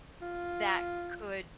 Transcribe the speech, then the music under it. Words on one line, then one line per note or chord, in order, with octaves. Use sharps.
that could
F4